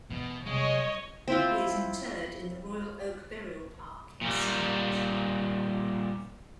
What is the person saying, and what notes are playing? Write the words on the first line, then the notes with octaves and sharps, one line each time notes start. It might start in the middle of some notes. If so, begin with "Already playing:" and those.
He is interred in the Royal Oak Burial Park in Saanich.
E2 B2
C3 F#3 G#3 C#5 D#5
C4 E4 F4
A#2 G3